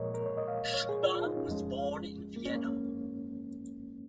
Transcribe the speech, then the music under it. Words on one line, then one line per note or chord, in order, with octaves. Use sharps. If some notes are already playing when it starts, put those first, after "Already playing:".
Schuba was born in Vienna.
Already playing: A#2 F3 G#3 A#4 C#5 D#5
A#4
C#5
D#5
F5
C#5
G#4
F4
F4
D#4
C#4
F2 F3 G#3
A#3
C#4
A#3